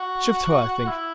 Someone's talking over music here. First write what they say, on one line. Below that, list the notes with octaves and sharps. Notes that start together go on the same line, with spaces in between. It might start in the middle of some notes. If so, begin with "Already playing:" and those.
'Shift ho, I think.
Already playing: F#4
E4